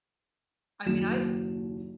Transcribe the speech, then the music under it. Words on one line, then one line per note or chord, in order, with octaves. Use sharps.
I mean, I
F#1 D#2 F#3 E7